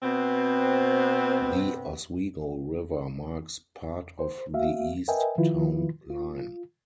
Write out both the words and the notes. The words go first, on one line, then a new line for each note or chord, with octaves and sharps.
The Oswego River marks part of the east town line.
B2 B3 C4
C5
A#3 F#4 E5 F5
A#4 B4 D#5 E5 G5 G#5
D#3 F3 E4 F4 B4
F4